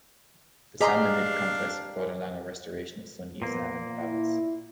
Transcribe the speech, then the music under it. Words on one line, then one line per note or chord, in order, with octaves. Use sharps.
The Samanid conquest brought along a restoration of Sunni Islam in the province.
D4 G4 G#4 D#5 F5 A#5 C6
A#2 F3 A#3 B3
E4